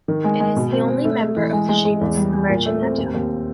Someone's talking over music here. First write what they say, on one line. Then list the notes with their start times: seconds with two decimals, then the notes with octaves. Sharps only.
It is the only member of the genus Merganetta.
0.08 D#3
0.24 G#3
0.40 G#3
0.56 B2
0.72 C4
0.89 C4
1.05 A3
1.21 A3
1.37 E3
1.53 G#3
1.69 G#3
1.85 G#3
2.01 E2
2.17 G3
2.33 G3
2.49 A#2
2.66 A3
2.82 C4
2.98 D#2
3.14 D#2